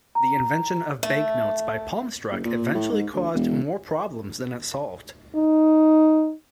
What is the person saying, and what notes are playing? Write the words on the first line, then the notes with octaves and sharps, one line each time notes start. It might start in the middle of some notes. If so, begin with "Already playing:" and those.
The invention of banknotes by Palmstruch eventually caused more problems than it solved.
A#5
A3
F#1
A#2
A2
G#2
D2
E1
D#4